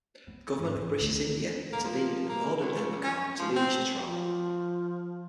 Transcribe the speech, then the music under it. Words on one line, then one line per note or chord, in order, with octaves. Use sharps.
The Government of British India intervened and ordered Umra Khan to leave Chitral.
B3
G#2
F4
D2
A#3
F3
A#3
C#2
C#4
F3
C4
F3